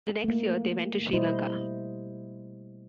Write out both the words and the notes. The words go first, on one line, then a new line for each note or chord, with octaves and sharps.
The next year they went to Sri Lanka.
A3 A#3
B2 G3 E4 C5 D#5